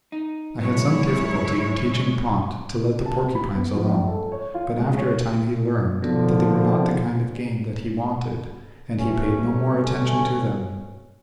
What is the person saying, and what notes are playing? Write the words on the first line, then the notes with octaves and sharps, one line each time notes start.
I had some difficulty in teaching Pont to let the porcupines alone, but after a time he learned that they were not the kind of game that he wanted, and he paid no more attention to them.
D#4
C#3 F#3 G#3 B3 E4 C#5
A5
B5
B3
F3
A#1
A4
C#5
F4
G#3
C#5
B2 D3 D#3 F3
G2 B2 A3 C#4